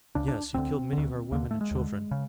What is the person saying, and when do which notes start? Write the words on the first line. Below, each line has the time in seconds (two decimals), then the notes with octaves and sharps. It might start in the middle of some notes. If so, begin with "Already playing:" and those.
Yes, he killed many of our women and children.
0.15 C#2 C#3 D4
0.28 D4
0.54 D2 D3 C4
0.93 D2 D3
1.32 D#2 D3 A#3
1.51 A3
1.61 G#3
1.71 D#2 D3
2.11 C#3